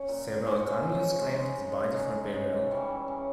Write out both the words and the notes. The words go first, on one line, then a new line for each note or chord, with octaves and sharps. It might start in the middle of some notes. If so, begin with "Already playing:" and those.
Several communes claimed his body for burial.
Already playing: C#4
A#2
G#3 C#4
C#3
G#3 D#4
C#3
G#3 D#4
C#3
E3 G3 C#4
C#3